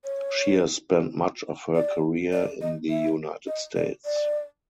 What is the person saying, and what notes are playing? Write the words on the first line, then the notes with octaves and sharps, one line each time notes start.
She has spent much of her career in the United States.
C#5
D5
D5
D#5
E5
D#5
D5
D5